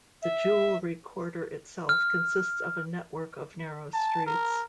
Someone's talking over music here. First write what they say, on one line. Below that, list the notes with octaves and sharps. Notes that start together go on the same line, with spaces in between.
The Jewellery Quarter itself consists of a network of narrow streets.
E5
F6
A5
A#4